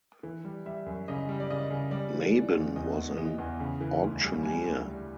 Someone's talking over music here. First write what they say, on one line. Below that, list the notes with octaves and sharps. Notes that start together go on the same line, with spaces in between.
Mabon was an auctioneer.
E3
G3
G3 E5
F#2
C#3 D#5
G3
D5
C#3 D#5
C#3
G3 D5
E3
E3 D5
E2
E2 D#5
E2
E3 D#5
E2
C#3
E3
D2
G3
G3 G#5
D2
G3